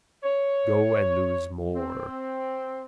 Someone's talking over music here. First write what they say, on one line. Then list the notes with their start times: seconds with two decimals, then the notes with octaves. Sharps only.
Go and lose more.
0.23 C#5
1.74 C4